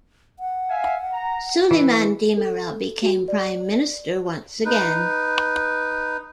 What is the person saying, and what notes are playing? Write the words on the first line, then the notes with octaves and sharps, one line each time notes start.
Suleyman Demirel became prime minister once again.
F#5
E5 F5 G#5
A#5
E3
A4
F#4
D5
D#4 B4